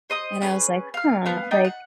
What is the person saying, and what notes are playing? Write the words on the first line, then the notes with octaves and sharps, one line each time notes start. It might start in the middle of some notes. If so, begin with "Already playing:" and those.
and I was like, "Huh," like,
C5 D#5 D#6
C#4 G#4 B4
F5 F6
B3 F5
D4 D#4 G5
F#5